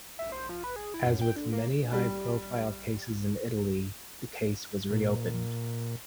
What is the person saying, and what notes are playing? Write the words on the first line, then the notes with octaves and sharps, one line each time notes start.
As with many high-profile cases in Italy, the case was reopened.
E5
C5
F3
B4
G#4
E4
F#2
G5
D3
A#3
G3
A#2